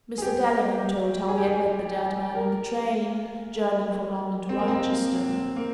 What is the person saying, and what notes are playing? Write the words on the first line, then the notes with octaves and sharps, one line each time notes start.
Mr. Dellingham told how he had met the dead man in the train, journeying from London to Wrychester.
G#4
G4
G#4
G4
G#4
A#4
C4
A#3
C4
A#3